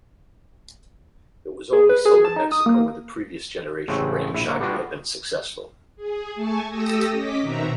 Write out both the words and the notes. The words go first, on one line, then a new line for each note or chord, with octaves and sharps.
It was only sold in Mexico, where the previous generation Ramcharger had been successful.
G#4
B4
G#4
A5
D#4
D#6
A#3
A1 C#3 G#3 A3 C4 F#5
A#1 E4 E5
D3 F#3 A#3
G3 B3 D4 F4 F#4
G#4
A3 G#5 A5 C#6
A3 G4 A4 D#6 E6 A#6
C#4 D#5 D6 B6
B2 D#3 C4 F#4 E5 A#5